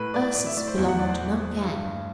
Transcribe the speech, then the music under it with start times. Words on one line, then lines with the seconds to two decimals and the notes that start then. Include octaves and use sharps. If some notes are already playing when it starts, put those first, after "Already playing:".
Ursus belonged to no gang.
Already playing: A2 B4
0.14 A2 D5
0.35 A2 D5
0.46 E5
0.57 A2 D5
0.68 C5
0.77 E2
0.88 F#5
0.99 E2 D5
1.09 C5
1.21 A2
1.41 A2
1.62 G2
1.84 G2